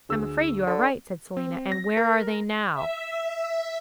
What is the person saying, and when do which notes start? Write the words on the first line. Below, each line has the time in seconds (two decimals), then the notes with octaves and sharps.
'I am afraid you are right,' said Selina; 'and WHERE ARE THEY NOW?'
0.09 D2 G#4 E6
0.67 D3
1.37 C4
1.72 A#6
1.97 A#4
2.74 E5